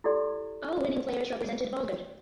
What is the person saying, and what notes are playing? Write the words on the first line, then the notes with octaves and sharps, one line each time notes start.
All winning players represented Augur.
E4 G4 A4 D5 C6